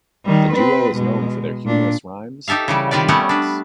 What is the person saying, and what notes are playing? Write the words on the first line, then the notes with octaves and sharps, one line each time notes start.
The duo is known for their humorous rhymes and catchy hooks.
D#3 G3
C4 B4
B2 G#3
A#2 D4
D#4 G4 A4 E5 F5
C#3 E3 G3
C3 D#3 F4 B4 D5
G3 A3 B3 C#4 A#4 F#5
D4 B4